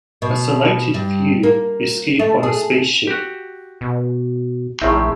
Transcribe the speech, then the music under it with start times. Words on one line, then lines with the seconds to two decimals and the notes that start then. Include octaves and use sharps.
A selected few escape on a spaceship.
0.22 B2
0.94 G2
1.43 A#3
2.19 A3
2.43 G#4
3.07 F#4 G4
3.81 B2
4.82 A#1 A2 D#3 C4 E4 G#4 E5